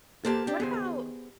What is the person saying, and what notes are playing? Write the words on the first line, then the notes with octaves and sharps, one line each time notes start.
what about
A#3 G4 A4 C5 A5
C4 D4 G4
D#3 B3 G#4 C5